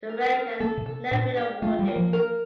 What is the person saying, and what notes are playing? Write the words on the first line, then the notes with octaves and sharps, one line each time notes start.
The rank has never been awarded.
A#4
A#4
A#3 A4
C3
A4
A#2 D4
G4
A3 F4
G3
A#3
F3
A#4